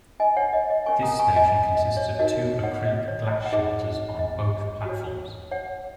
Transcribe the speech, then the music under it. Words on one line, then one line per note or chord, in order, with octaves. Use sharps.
This station consists of two acrylic glass shelters on both platforms.
D#5 G#5
C#5 F#5
D#5
D#5
C#4 A#4 C#5 G#5 C#6
A#5 D#6
G#5 C#6
D#5 G#5
D#5
C#5
D#4 F#4 A#4 C#5 D#5
C#5 F#5
D#5
C#5
D#5
F#5
D#4 G#4 C#5 D#5
D#5
F#4 C#5
C#5 F#5